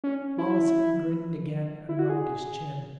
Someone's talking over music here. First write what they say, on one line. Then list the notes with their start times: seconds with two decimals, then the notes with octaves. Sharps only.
Mollison grinned again and rubbed his chin.
0.04 C#4
0.38 E4
1.89 E4
1.99 F#4
2.10 G#4